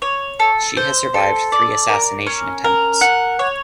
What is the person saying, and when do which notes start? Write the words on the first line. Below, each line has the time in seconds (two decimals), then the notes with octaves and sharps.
She has survived three assassination attempts.
0.02 C#5
0.40 A4
0.77 C5
1.14 A4
1.52 D5
1.89 A#4
2.27 C#4
2.64 A#4
3.01 F#5
3.39 C#5